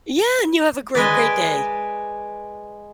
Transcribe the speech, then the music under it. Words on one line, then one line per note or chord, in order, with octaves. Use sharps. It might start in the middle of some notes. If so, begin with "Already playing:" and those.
Yeah, and you have a great great day.
G#3 B4 D5